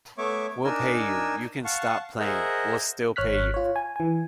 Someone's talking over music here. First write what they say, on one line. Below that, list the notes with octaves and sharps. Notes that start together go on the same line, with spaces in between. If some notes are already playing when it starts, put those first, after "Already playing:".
We'll pay you, you can stop playing, we'll still pay you!
A3 B3 C#5 E5 C#6 D6
D4 D#4 A#4 G#5 E6
F5 F#5 A5 C#6
G#4 A#4 C5 D#5 E5 F#5
G#1 C#5 F6 F#6 B6
F4 C#5
G#5
E3 G#5